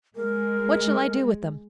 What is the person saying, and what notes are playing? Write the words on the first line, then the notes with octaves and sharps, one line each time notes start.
What shall I do with them?'
G#3 A#4